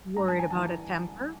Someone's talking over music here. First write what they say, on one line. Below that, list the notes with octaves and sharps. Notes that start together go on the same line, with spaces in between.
Worried about a temper?
G2 A#5
A5
G#5
E3 A5